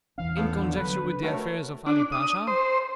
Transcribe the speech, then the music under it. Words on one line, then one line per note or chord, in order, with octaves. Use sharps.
"In conjunction with the affairs of Ali Pasha?"
E2 E3 C#4 F5
A2 B3 A4
D3
D3 F#3 B4
D4
A3 F#4 A#4 C#5
D4
D#6
C5